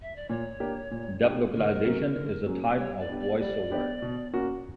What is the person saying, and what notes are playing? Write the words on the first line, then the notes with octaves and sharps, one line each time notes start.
Dub localization is a type of voice-over.
E5
D5
A#2 C#5
A#3 D4 G4
A#2
A#3 D4 G4
D3 A#4
F#3 A#3 C#4
D3
F#3 A#3 C#4
G3 C#5
D5
B3 D4 G4
D5
G3 D5
B3 D4 G4
B2
A#3 C#4 F#4